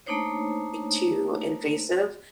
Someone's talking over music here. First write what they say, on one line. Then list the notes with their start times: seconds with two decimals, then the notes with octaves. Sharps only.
too invasive,
0.06 A3 A#3 D4 D#4 C5 C#5